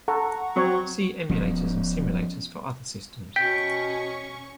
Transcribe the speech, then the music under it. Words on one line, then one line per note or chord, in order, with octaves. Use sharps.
See Emulators and Simulators for other systems.
A4 F#5 A#5 C#6
F#3 C4 C#5
D1 F3 B3 C#4
B2 C#4 G5 C#6 B6